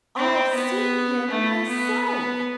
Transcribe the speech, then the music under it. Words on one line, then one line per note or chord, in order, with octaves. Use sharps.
"I've seen him myself!"
C4
B3
A3
B3
B3